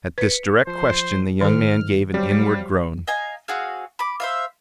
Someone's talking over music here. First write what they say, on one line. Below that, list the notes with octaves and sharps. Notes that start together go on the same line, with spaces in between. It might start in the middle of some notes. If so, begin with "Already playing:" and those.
At this direct question, the young man gave an inward groan.
B4 B6 C#7
F3 C5 C7
G#2 D#3 A4 F6
F#3 G3 G4 C5 F5
D#5 F5 G#5 A#5
C4 F#4 G#4 F5
B5 D6
C5 E5 F5